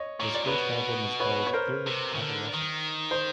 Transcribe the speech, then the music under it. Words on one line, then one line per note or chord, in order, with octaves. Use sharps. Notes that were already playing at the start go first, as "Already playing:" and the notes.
His first album is called Third Adolescence.
Already playing: C#5 D#5
A#2 C#5
D5
A#2 B4 C#5
B2
B4 C#5
C#5
A#4 C5
C3
C#3
D3
D#3
C5